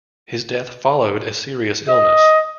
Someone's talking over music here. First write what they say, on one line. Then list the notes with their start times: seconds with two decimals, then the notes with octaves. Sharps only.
His death followed a serious illness.
1.89 D#5